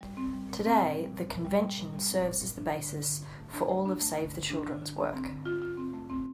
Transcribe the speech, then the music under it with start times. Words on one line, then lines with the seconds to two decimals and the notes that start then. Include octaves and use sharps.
Today, the Convention serves as the basis for all of Save the Children's work.
0.01 G3
0.17 C4
0.33 G3
0.49 A#2
0.66 C4
0.81 A#2
0.97 G3
1.14 A#2
1.29 A#2
1.45 G3
1.62 G3
1.77 A#2
1.93 G3
2.09 C4
2.25 A#2
2.41 A#2
2.57 D4
2.74 D3
2.89 D3
3.05 D3
3.21 D3
3.38 A3
3.53 D4
3.70 A3
3.86 D4
4.01 A3
4.17 D3
4.33 D3
4.50 D4
4.65 D4
4.82 D3
4.98 D4
5.14 C4
5.29 D3
5.45 F4
5.62 F4
5.77 C4
5.93 A3
6.10 C4